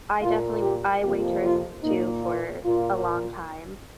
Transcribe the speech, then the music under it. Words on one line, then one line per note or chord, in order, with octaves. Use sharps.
I definitely I waitress too for a long time,
A#2 A#3 F4
G4
F2 C3 F3 A#3 G4
F4
A#2 A#3 D#4
F4
A#2 A#3 F4